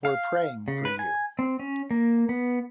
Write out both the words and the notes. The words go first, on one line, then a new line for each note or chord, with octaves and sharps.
We're praying for you.
F5
C#3
B4
G#5
C4
C#4
A#3
B3